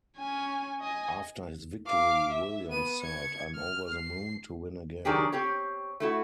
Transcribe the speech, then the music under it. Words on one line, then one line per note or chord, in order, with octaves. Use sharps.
After his victory Williams said: I'm over the moon to win again.
C#4 G#5
D#5 G#5
F5 D6
E5
B3 D#7
G#6 C#7
F6
C7
D#3 F#3 D4 G4 G#4
C4 G4 C#5
A3 E4 F#4